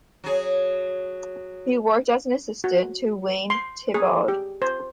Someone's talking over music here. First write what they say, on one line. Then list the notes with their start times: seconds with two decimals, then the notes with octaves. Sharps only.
He worked as an assistant to Wayne Thiebaud.
0.24 F#3 G#4
2.64 F#4
3.50 C6
3.94 G#4
4.28 G4
4.62 C5